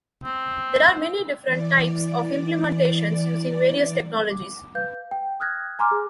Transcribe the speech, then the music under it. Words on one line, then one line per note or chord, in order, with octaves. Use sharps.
There are many different types of implementations using various technologies.
C4
E3 D5
D6
B4 F5 G6
G5
D#6 F6 F#6 G#6 A#6
G#5 A#5 C6 D6 F6
G#4